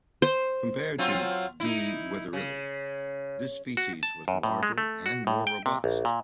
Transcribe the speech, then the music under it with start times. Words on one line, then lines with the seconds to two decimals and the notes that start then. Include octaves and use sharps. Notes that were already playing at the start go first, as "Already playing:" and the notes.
Compared to "D. wetherilli", this species was larger and more robust.
0.22 C5
0.98 F#3 C4 F4
1.60 D#4 E4
2.33 C#3
3.77 F#4
4.03 A5
4.28 F#2
4.43 A2
4.63 G#3
4.78 A3
5.06 F#4
5.27 A2
5.47 G5
5.66 C3
5.84 A#1
6.05 A#2